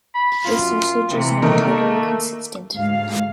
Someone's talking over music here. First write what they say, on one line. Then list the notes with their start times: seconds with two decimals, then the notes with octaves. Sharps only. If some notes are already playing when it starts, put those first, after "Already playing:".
This usage is not totally consistent.
0.14 B5
0.44 F#2 F4
1.08 C3 E3
1.42 D#3 A3 A#3 A#4 D#5
2.72 D2 G#2 F5